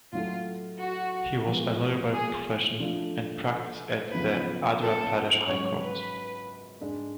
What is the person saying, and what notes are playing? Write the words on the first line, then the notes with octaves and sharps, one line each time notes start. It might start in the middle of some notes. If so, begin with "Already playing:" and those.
He was a lawyer by profession and practised at the Andhra Pradesh High Court.
A2 F#3 A3 F4
F#4
F3 G#3 B3
G#4
F3 A3 D4 F4
F#2 C#3 F3 B3 B4
A4
G#2 F#3 C#4 C#5
B4
G#2 G#3 D4